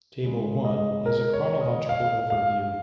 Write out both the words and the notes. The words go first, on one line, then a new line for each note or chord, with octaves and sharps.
Table I is a chronological overview.
C#3 G#3
D#5
A#4
C#5
D#5
F5
F5